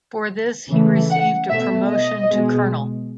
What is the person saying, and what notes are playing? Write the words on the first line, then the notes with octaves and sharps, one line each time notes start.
For this he received a promotion to colonel.
C#3 E3 A3
F#5
B2 A3 E5
D#5
B2 G#3